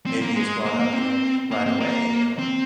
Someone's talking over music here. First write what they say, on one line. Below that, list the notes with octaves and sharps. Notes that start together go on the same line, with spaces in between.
maybe is brought up, you know, right away, you know?
C4
A#3
G#3
A#3
A#3
C4
A#3
C4
A#3
C4